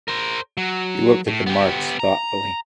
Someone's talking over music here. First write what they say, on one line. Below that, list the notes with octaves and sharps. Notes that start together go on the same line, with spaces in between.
He looked at the marks thoughtfully.
A#4 C5
F#3
A2
B3 G4
A#5